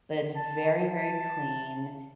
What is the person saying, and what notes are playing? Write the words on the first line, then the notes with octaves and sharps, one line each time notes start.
But it's very, very clean.
A5
A5